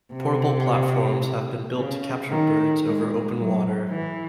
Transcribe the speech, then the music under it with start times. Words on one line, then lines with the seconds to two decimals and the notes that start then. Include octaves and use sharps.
Portable platforms have been built to capture birds over open water.
0.14 C3
1.75 C#3
2.29 D#3
2.83 G#3
3.37 F#3
3.90 E3